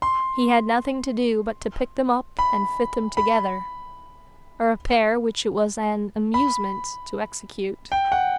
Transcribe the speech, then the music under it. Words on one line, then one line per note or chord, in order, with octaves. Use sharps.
He had nothing to do but to pick them up and fit them together--a repair which it was an amusement to execute.
C6
B5
B5
B5
G5
F#5